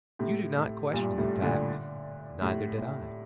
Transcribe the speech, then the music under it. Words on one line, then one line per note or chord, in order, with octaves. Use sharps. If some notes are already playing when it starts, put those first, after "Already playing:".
You do not question the fact; neither did I.
A2 C3
A2
G2 A#2
A2 C3
A#2 D3
A2 C3
A2